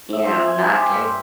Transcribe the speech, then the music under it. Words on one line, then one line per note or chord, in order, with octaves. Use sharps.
you know, not take
E5
C5
G#5
G4
G2
C6